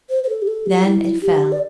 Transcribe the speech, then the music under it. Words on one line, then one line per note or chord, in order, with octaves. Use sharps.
Then it fell.
C5
C5
A4
G4
A4
G4
E4
G4
D5